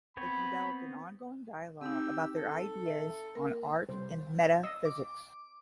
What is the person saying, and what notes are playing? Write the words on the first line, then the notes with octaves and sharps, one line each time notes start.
They developed an ongoing dialogue about their ideas on art and metaphysics.
B3 C4 C#5 B5
C4 D#4 G4 E6
A4
E5
A#3 A#4
C3 G3 C5
D#5 E6
D6